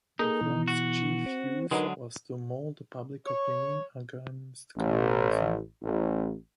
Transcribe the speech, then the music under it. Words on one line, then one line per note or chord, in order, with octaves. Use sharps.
The film's chief use was to mold public opinion against communism.
A#3 D#4 G#4 A4
B2 E3
F#4
C4
D3 F#3 G#3 D#4 A#4 B4
C#5
A1
A1